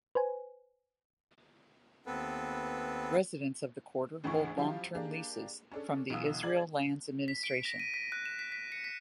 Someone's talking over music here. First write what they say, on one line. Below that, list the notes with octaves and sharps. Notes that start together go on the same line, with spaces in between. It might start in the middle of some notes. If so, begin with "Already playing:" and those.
Residents of the quarter hold long-term leases from the Israel Lands Administration.
B4 C5 G#5
D#2 B3 C4 A4 B4
G#1 D2 E3 G#3 E4 C#6
F3 F#3 C#4 E4 F4 G4
A#3 D4 G4 G#4
C#4 D4 A4
B1 E3 F4 D#6 E6
G#4 D5 G#6 F#7
B6
D7
A#6
D#7
B6
F#6
E7
B6
B6
C#7
B6